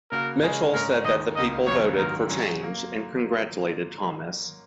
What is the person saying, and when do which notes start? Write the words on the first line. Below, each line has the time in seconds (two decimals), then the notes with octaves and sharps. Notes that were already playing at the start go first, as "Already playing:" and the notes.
Mitchell said that the people voted for change and congratulated Thomas.
0.11 C#3 A#3 F#4 A#4
0.43 C#3 G#3 C#4 G#4 D#5
0.73 G#2 G#3 C#4 A#4
1.05 D#2 D#3 G#3 D#5
1.36 C#2 C#3 A#3 D#4 A#4 D#5
1.66 G#1 F#2 C#3 A#3 F#4 C#5
1.97 G#2 D#3 F#3 A#3 A#4
2.29 G#2 F#3 C#4
2.62 F#3 A#3